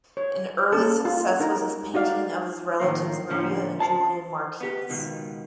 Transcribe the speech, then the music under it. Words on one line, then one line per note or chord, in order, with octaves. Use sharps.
An early success was his painting of his relatives Maria and Julian Martinez.
C#5
A#3 C#4 A4
F4
D#4 A#4
D#4 F#4 D5 F5
A2 D#3 F3 A#3
A2 D3 F3 A#3 C#4
C5 A5
B3 G4
C#2 B2 D#3